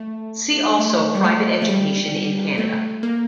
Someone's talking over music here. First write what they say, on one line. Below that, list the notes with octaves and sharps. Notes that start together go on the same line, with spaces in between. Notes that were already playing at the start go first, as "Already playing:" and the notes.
See also Private Education in Canada.
Already playing: A3
A3
G3
A3
A3
G3
A3
A#3